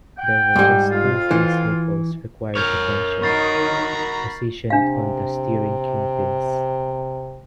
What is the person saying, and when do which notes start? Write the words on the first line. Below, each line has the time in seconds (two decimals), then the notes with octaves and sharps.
There were just two grease nipples requiring attention, positioned on the steering kingpins.
0.17 F#5 G5
0.56 G#2 G3
0.91 F2 F4
1.31 E3
2.55 A#4 C#5 F6 G6 G#6
3.22 D#3 F#4 A#5 B5 C#6 A6 C7
4.70 C3 D4 F5